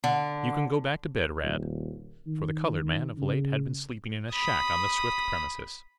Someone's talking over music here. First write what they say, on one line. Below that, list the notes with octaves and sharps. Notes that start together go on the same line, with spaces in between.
"You can go back to bed, Rad," for the colored man, of late, had been sleeping in a shack on the Swift premises.
D3
D#1
D#3
C#3
B5 D#6